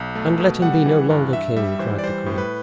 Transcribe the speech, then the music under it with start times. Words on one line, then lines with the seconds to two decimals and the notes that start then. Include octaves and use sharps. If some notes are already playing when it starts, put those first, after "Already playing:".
"And let him be no longer king," cried the queen.
Already playing: B1
0.15 A3
0.40 B2
0.62 G3 F#5
0.86 E3
1.10 G2
1.33 G2 E5
1.56 G3 E5
1.79 E3 C5
1.99 D5
2.03 G3 C5
2.26 A2
2.38 B4